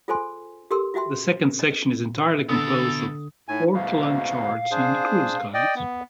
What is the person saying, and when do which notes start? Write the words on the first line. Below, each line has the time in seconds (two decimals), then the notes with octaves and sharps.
The second section is entirely composed of portolan charts and cruise guides.
0.08 F4 G#4 A4 C5 G#5 C6
0.71 G4 A4 A#4 C6 E6
0.94 F4 F#4 E5 G5 C6
1.60 D#5
2.49 D3 B3 A4 E5 D#6
3.48 A2 D#4 G#5
3.73 D2 G#2 B2 F5
4.71 D4 G#4 C5
5.54 D5 D#5 G5
5.76 B3